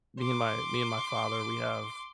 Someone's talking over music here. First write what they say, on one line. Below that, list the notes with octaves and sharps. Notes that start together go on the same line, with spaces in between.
me and my me and my father, we have
C6 D6